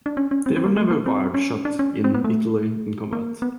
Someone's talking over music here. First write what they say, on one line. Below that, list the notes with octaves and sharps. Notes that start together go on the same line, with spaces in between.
They were never wired shut in Italy in combat.
D4
C#4
C#4
C4
C4
A#3
A3
A#3
C4
C#4
D4
C#4
C4
B3
A3
A#3
B3